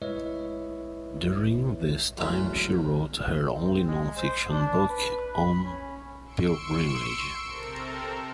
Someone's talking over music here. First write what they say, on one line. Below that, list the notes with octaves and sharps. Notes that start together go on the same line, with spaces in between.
During this time she wrote her only non-fiction book, "On Pilgrimage".
G#3 E4 B4 C#5 D#5 E5
E2 F#3 G#3 A3 C#4 E4
C4
G#3
C5
D4
B4
B5
C#4
C6 C#6 E6 C#7 D7
C3 C4 A4 A#4